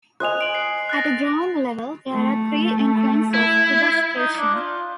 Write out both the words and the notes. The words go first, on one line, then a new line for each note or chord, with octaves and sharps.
At ground level, there are three entrances to the station.
C5 D#5 G#5 F#6 F7
D7 F#7
C7
F#6 A6 A#6
A3
E4
D#4
D4
F4